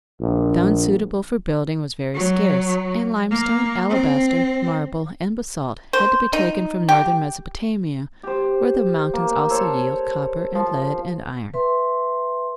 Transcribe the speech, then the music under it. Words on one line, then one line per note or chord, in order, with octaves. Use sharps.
Stone, suitable for building, was very scarce, and limestone, alabaster, marble, and basalt had to be taken from northern Mesopotamia, where the mountains also yield copper and lead and iron.
A#1
F#3
A#3
C4
C5
D#4
G4
G4 C5
A#3
A4 C5 C#5
F3
B4 E5 C6